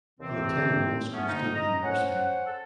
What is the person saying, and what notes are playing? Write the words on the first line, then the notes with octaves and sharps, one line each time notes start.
He attended Moscow State University.
D#2 C3 E3 C4
A3 B3 C#4
F2 D3 A#3 D#4
D#5 A#5
C#4 C5 C#5 F#5
A4